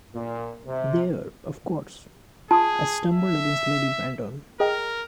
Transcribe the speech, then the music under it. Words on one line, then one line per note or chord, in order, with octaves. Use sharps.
There, of course, I stumbled against Lady Brandon.
A#2
C3
F4 G#4 A5 D#6
E5
G#4 A#4 D#5 G5